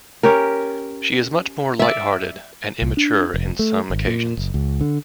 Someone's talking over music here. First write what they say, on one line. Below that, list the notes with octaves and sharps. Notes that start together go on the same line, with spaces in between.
She is much more light-hearted and immature in some occasions.
C#4 G4 A#4
D5 E5
C2
D4
F1
A3
G#1
A#2
F#1
C#2
D3